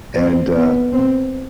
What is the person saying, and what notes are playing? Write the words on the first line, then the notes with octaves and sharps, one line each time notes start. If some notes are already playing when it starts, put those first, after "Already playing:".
and, uh
C4
B3
C4